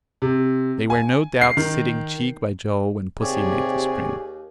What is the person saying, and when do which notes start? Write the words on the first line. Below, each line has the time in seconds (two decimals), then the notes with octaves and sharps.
They were no doubt sitting cheek-by-jowl when pussy made the spring.
0.22 C3
0.90 G#5
1.41 C7
1.57 D#3
3.20 D#2 C3 G4 G#4 C#5 D5